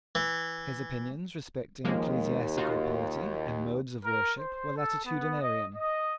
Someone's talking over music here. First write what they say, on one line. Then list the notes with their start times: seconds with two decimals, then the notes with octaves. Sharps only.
His opinions respecting ecclesiastical polity and modes of worship were latitudinarian.
0.15 E3
1.84 D#2 F3 G#3 A#3
2.57 D#4 F4 F#4
4.04 A#4
4.39 C5
4.76 A4
5.05 B3
5.40 D#5
5.75 D#5